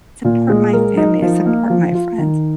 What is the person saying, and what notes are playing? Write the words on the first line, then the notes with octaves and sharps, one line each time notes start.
support my family. I support my friends.
A#2
G#3
A#4
D#4
F3
A#3
F3
F4
D#3